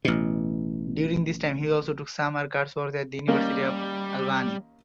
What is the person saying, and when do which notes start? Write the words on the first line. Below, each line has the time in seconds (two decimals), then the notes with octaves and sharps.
During this time he also took summer coursework at the University at Albany.
0.05 A1 B2
3.28 D#2 G3 A#3 C#4